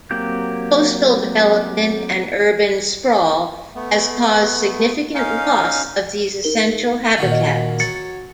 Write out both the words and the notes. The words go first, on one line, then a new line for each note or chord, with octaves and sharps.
Coastal development and urban sprawl has caused significant loss of these essential habitats.
F#3 A#3 C4 G4 G6
A3 B3
C#4 D#4 F5
D#4 A#4 G7
A#2 D#3 F#3 F5 C#7
D#5
F#3 A6 C#7